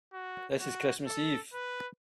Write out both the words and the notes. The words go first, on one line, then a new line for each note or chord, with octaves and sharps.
This is Christmas Eve.
F#4
F#4
A4
B4